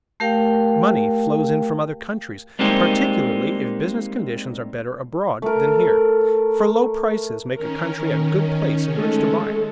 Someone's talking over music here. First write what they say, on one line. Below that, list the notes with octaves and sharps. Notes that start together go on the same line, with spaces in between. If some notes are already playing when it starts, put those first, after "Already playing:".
Money flows in from other countries, particularly if business conditions are better abroad than here, for low prices make a country a good place in which to buy.
A3 G4 A#4 F5 G5
G3 G#3 A#3 C4 D#4 G4
A3 A#4
D#3 C#4 A#4
G#3 A3 A4